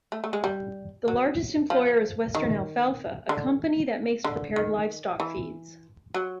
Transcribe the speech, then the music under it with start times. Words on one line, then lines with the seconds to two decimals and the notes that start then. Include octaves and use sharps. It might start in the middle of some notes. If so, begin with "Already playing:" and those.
The largest employer is Western Alfalfa, a company that makes prepared livestock feeds.
0.12 A3
0.24 A3
0.33 G#3
0.44 G3
1.08 F#3
1.70 F3
2.35 D#3
3.29 D3
4.24 D3
4.56 D#3
5.20 E3
6.14 F#3